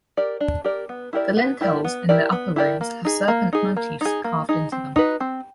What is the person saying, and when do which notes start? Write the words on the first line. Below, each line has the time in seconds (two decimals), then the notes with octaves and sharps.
The lintels in the upper rooms have serpent motifs carved into them.
0.17 G4 A#4 D5
0.41 D4
0.64 G4 A#4 D5
0.89 B3
1.13 E4 G4 A#4 D5
1.37 B3
1.61 E4 G4 A#4 D5
1.84 B3
2.09 E4 G4 A#4 D5
2.32 B3
2.56 E4 G4 A#4 D5
2.81 A#3
3.05 D#4 G#4
3.28 A#3
3.53 D#4 G#4
3.77 A#3
4.01 D#4 G#4
4.24 A#3
4.49 D#4 G#4
4.72 C4
4.96 D#4 F#4 B4
5.20 C4